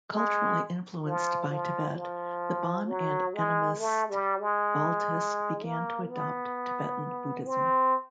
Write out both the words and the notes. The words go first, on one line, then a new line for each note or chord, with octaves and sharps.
Culturally influenced by Tibet, the Bon and animist Baltis began to adopt Tibetan Buddhism.
G#3
F3
F3
F3
F#3
G#3
A3
G3
G#3
A#3
B3
C4